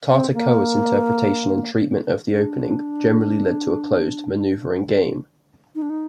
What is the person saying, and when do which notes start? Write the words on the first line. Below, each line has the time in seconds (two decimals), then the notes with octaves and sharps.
Tartakower's interpretation and treatment of the opening generally led to a closed, manoeuvring game.
0.12 C4
0.34 A#3
2.29 D4
5.75 D#4
5.82 D4
5.90 D#4